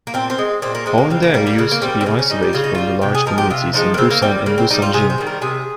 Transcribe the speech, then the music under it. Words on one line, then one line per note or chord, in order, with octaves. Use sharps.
Haeundae used to be isolated from the large communities in Busan and Busanjin.
A#3
A#2 C4
C4
G#3
A#2 C4
A#3
G#3 C4
A#3
C#3 C4
A#3
G3 A#3
A#3
C#3 A#3
A#3
G3 C4
C4
C#3 C#4
C#4
G3 D#4
G4
C#3 F4
D#4
G3 F4
C3 G4
G#4
F3 G#3 A#4
G4
C3 F4
F3 G#3 D#4
A#3
C#3 C4
A#3
G3 C4
C#3 A#3
C4
G3 D#4
F4
C3 G#4
C5
D#3 G3
A#4
C3 G#4